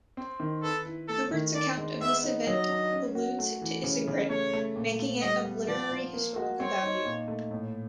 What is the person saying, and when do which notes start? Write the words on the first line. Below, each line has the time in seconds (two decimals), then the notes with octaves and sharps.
Guibert's account of this event alludes to Isengrin, making it of literary-historical value.
0.17 C4
0.40 D#3
0.63 A4 B4
0.86 E4
1.08 A3 A4
1.31 D#3
1.54 D4 D5
1.77 G#3
2.01 B3 E5
2.23 D#4
2.46 F#3 D#5
2.69 D4
2.92 C#4
3.15 F#4
3.39 A3
3.61 E3
3.83 C#3
4.07 C#3
4.29 A3 C#5
4.53 A3
4.76 A#2
4.99 A3
5.21 G3 D#5
5.45 B3
5.68 F3 D5
5.91 F3
6.14 A#3
6.36 F#4
6.60 C4 C#5
6.83 D#4
7.05 A#2
7.28 A3
7.51 A2